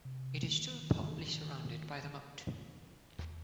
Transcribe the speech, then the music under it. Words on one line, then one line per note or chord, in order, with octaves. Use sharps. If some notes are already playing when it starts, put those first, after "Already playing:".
It is still partly surrounded by the moat.
C3
C#3
D#3
D#3
E2